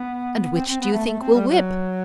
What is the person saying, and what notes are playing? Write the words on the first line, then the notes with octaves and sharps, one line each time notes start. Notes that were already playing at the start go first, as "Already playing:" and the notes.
"And which do you think will whip?"
Already playing: B3
C4
C4
B3
A3
A3
C4
G3
F#3